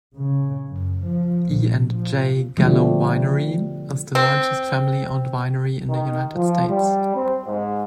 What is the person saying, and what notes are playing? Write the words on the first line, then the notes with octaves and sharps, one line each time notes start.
E and J Gallo Winery is the largest family-owned winery in the United States.
C#3
F#2
F3
A#1
F3
B2 D3 F3 G3 A3
C4
D#3
F3
G3
C4
G#2